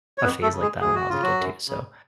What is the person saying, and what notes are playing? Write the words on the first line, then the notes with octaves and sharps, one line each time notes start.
a phase like that when I was a kid too so,
C#5
F2 B3 B4
A3 A4
C#3
G#3 G#4
D2 G#4
F#4
C#3 F4
F#3 F#4
F#2
C#3